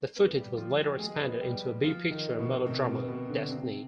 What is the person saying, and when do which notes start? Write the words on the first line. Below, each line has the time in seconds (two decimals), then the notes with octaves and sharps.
The footage was later expanded into a B-picture melodrama "Destiny".
0.16 B3 B4
0.36 G3 G4
0.57 F3 F4
0.99 G#3 G#4
1.21 B3 B4
1.41 G3 G4
1.83 F3 F4
2.11 D#3 D#4
2.39 B2 B3
2.66 C3 C4
2.88 B2 B3
3.08 B2 B3
3.29 D3 D4
3.50 C3 C4